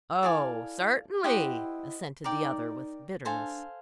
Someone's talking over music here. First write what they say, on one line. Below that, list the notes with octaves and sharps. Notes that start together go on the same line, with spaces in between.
"Oh, certainly!" assented the other with bitterness.
E4 A4 D5 F5 G#5
E4 G4 C5 D#5 F#5
D#4 A#4 D5 G5
D4 A4 C5 F5 G#5